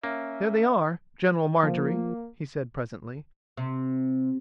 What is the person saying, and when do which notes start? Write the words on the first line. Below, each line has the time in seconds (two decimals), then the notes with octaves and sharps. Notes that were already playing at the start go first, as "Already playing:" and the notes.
"There they are--General Marjorie," he said presently.
0.04 A#3 C#4 E5
1.63 F3 A#3
3.57 C3